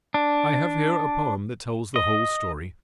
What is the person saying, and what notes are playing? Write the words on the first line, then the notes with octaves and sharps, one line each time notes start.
I have here a poem that tells the whole story.
D4
D#5